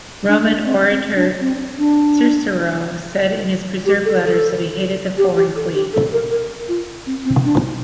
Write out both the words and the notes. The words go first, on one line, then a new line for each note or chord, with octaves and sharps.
Roman orator Cicero said in his preserved letters that he hated the foreign queen.
D4
D4
C4
C4
D4
C4
D4
G4
A4
A4
G4
G4
A4
G4
A4
A#4
A#4
F4
C4
C4
D4